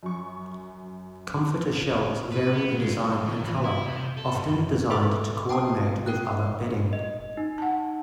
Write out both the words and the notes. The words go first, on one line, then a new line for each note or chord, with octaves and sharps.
Comforter shells vary in design and color, often designed to coordinate with other bedding.
F#2 C#6
B4
B3
G#3
B1
D#3
E3
E4
C3
A4
F#2
A4 B4 E5 C#6 E6
G5 A5 A#5 D#6
A#4 G5 F#6
D#5
D#4
F#5 A5